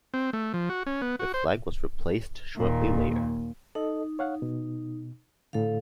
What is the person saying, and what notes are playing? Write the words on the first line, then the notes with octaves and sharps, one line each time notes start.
The flag was replaced shortly later.
C4
A3
F3
F#4
C#4
B3
F#4
C5
D#2 A#2
D#4 A4 D#5
C#5 F5 F#5
B2
A2 D3 A4 F5